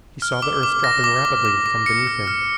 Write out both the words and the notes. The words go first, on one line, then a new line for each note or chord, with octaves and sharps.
He saw the earth dropping rapidly from beneath him.
F6
D6
D6
A#6
D6
D6
D6
D6
C#7
F6
F6